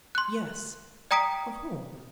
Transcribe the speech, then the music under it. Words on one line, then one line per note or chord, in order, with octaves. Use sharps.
"Yes, of whom?"
C6 F#6
D5 G5 A#5 D#6 B6 D7